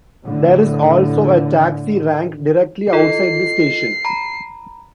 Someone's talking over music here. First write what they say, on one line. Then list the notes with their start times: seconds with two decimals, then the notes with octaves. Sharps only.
There is also a Taxi rank directly outside the station.
0.24 A2 D3
2.93 F4 A4 D#5 C7
4.05 A#5 B5